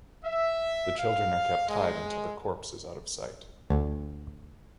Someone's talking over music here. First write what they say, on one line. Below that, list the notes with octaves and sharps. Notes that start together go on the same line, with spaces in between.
The children are kept tied until the corpse is out of sight.
E5
F5
G#3
D2